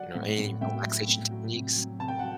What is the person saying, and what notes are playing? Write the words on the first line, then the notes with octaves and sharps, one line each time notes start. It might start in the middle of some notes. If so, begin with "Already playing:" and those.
You know, any relaxation techniques?
Already playing: F#3 D5 F#5
A2
A2
A2 E5 G5
F#3
A2
F#3
C3
F#3
C3 A5
G5
F#3 F#5